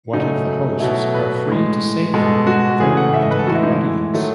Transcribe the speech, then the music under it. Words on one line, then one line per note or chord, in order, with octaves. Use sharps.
What if the hosts are free to say anything without minding the audience?
C#3 F#3 A3 D#4
B2 F#3 A3 E4
B4
A2 G#3
B2 G#3 A4
F#4
C#3 E3 A3 G#4
F#5
E5
D#5
B4
A4
A2 E3 G#3 F#4
E4
D#4
E4
D#3 F#3 A3